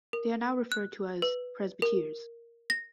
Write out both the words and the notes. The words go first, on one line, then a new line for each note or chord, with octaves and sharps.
They are now referred to as "presbyters".
A#4
F#6
B4
A#4
A#6